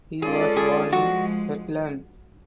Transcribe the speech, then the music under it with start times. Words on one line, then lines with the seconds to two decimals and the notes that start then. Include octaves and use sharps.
He was born in Hetland.
0.22 G#3 C#4 F4 G#4 A4 D5
0.56 G#4
0.92 F3 G#3 F#4